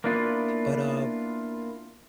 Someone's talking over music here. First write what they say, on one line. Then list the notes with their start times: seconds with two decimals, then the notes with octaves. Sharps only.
But, uh,
0.04 A#3 B3 D4 E4 F4